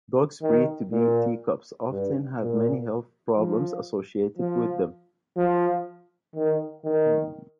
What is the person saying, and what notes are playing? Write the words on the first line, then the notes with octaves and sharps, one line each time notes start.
Dogs bred to be "teacups" often have many health problems associated with them.
D#3
A#2
G2
A#2
F3
F3
F3
D#3
D#3